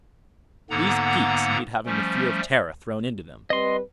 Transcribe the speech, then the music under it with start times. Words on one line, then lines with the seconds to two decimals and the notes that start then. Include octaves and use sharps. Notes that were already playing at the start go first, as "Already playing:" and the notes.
"These geeks need having the fear of Terra thrown into them."
0.70 G#2 D3 A#3 B3 F#5 A#5
1.86 F3 G3 A3 C#4
3.50 G3 C4 B4 D#5 C6